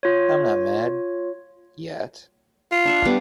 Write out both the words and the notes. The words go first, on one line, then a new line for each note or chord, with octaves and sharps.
I’m not mad — yet.
F4 C#5
F4
D4 E5 F#5
G3 B3